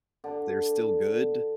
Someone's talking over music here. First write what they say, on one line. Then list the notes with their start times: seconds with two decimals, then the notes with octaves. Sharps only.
they're still good
0.24 D3